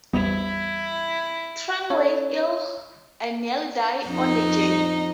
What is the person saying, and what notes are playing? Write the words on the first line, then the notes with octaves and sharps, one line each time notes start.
Trang was ill and nearly died on the journey.
A1 E2 G3 B3 E4
C#4 A4 C#5
F2 D#4